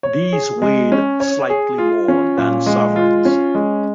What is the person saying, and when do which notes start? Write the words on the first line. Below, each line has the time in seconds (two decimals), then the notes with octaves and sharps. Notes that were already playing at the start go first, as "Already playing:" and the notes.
These weighed slightly more than sovereigns.
0.03 C#5
0.33 G#4
0.62 G#3
0.92 C#4
1.20 C#5
1.50 G#4
1.78 F4
2.08 C#4
2.37 A#2
2.66 G#3
2.96 F4
3.25 C#4
3.55 G#3